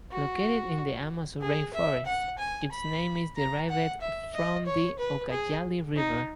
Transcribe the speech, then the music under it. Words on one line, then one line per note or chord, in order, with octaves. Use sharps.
Located in the Amazon rainforest, its name is derived from the Ucayali River.
F#4
G#4
E5
F#5
G#5
B5
A#5
F#5
E5
D#5
C#5
B4
G#4
D#4